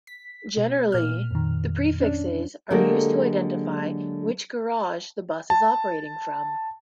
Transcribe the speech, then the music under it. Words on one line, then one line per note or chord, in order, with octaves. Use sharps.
Generally, the prefixes are used to identify which garage the bus is operating from.
B6
B2
A#2 A#3 F6
F2 D#3
C#4 D4
D3 F#3 G#3 A#3 G4 A4
A5